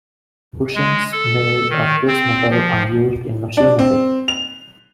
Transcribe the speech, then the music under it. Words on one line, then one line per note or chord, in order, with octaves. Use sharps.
Bushings made of this metal are used in machinery.
G#3
A4
D#3
C4
F3
D4
C4
F7